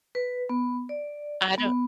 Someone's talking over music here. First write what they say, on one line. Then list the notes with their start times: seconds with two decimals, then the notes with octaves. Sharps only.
I don't
0.15 B4
0.49 B3
0.89 D5
1.58 B3